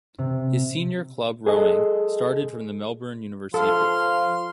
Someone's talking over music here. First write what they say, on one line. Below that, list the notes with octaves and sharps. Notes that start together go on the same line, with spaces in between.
His senior club rowing started from the Melbourne University Boat Club.
C3
G#4 A4 D#5
F3 A4 F5 C6